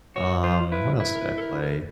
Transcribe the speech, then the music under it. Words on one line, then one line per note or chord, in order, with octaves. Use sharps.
um, what else did I play?
F#4 C#5
F4 C5
E4 B4
E4 B4
A#4
B4
A4
A#4
A#4